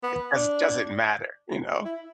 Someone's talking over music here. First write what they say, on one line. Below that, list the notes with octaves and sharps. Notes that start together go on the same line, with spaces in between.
It does doesn't matter, you know?
B3
D4
E4